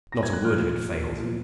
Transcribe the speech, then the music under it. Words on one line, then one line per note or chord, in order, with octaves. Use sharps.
Not a word of it failed.
A#6
G#6
F#6
A#2 F3 B3 F6
A#2 F3 B3